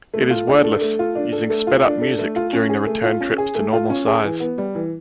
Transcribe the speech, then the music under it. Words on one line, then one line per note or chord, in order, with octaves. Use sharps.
It is wordless, using sped-up music during the return trips to normal size.
A3
F4
D4
A4
A3
F4
D4
A4
A3
F4
D4
A4
A3
F4
C#4
G#4
A3
F4
C#4
G#4
A3
F4
C#4
G#4
E3
B3
G3
E3